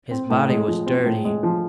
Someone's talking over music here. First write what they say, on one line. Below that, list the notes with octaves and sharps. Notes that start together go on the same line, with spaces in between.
His body was dirty.
C4
A2
G#3
F3
C4
A2
G#3
F3